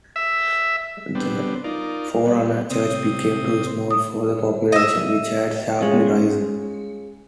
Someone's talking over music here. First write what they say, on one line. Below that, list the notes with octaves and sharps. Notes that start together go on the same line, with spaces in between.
The forerunner church became too small for the population, which had sharply risen.
E5
G3 B3 C4 D4
D#4 F4 A#4 D5
G3 B3
C3 C4 D#6
D#6
D#5 E5
G#3 C#4 F4